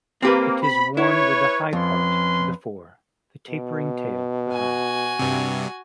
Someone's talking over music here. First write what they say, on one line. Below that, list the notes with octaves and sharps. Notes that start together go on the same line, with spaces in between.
It is worn with the high part to the fore, the tapering tail behind.
A#3 C4 G4 B4
B5
E4 B4 C#5
F2 C#4 B4 C6
B2
F#4 G#5
G2 C3